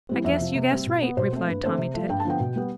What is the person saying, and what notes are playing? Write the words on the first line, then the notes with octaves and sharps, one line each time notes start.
"I guess you guess right," replied Tommy Tit.
E3 G3 C4
F2 E5
C3 F3
C3
G3 C4
B2
B3
B2 C5
A3 C4
G2 B4
D3 A3 C4 C5
C3
F3 A3
G2 G5
A5
D3 F3 B3 G5
B2
G3 B3